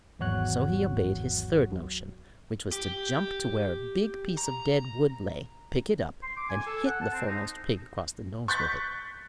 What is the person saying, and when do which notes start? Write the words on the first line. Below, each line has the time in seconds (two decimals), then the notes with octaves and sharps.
So he obeyed his third notion, which was to jump to where a big piece of dead wood lay, pick it up, and hit the foremost pig across the nose with it.
0.19 G#1 E2 F#3 F#4 C#5 F#6
2.72 G4
4.38 A#5
6.22 C6
6.37 D6
6.49 G#5
6.66 A4
6.86 F#5
7.01 A5
7.13 C4
7.27 D#4
8.48 C#6 F#6 G6 A6 B6